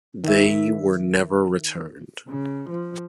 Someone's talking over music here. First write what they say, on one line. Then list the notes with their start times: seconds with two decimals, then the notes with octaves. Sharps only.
They were never returned.
0.24 D#3 E5
2.29 C#3
2.69 F3